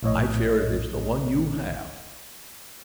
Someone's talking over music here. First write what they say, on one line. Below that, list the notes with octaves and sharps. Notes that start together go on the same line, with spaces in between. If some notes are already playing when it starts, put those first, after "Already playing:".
I fear it is the one you have.
A#1 A2 C#5 D#5